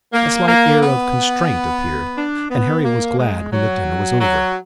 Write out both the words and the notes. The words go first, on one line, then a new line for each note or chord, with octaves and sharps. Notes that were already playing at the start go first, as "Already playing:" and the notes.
A slight air of constraint appeared and Harry was glad when the dinner was over.
A#3
A#3
B3
D4
B3
A#3
G#3
F#3
F#3